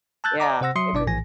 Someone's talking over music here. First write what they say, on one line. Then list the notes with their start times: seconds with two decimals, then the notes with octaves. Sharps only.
yeah, every
0.24 A5 E6 F#6 G6 A6
0.40 D5 D#5 A#5 D6
0.61 C3 C5 F#5 E6 A#6
0.76 F#3 E5 C6 D#6 C#7
0.93 G1 B2 D4 D5 D6
1.07 A#1 A2 E3 G#5 A#6